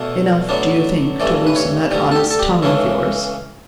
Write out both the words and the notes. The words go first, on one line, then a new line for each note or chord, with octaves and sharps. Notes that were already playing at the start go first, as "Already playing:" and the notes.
"Enough, do you think, to loosen that honest tongue of yours?"
Already playing: E2 B2 A3
A2 F#3 B3 D4
A1 G2 E3 A3 D5
B4
C#5
D2 D3 G3 D5
A4
G4
A4
G4
C#2 C#3 E3 A3 C#4 E4